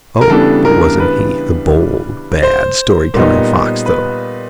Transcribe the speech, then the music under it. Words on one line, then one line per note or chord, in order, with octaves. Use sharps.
Oh, but wasn't he the bold, bad story-telling fox, though?
A#4
C#3 E3 G3 B3 D4 A4
A#4
B4
C5
A#2 G3 B3 D#4
B4